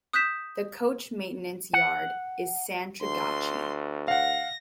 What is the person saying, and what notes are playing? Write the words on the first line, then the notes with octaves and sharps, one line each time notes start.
The coach maintenance yard is in Santragachi.
D#6 F#6 G6 B6 E7
F#5
D2 C6
F5 F#5 A#6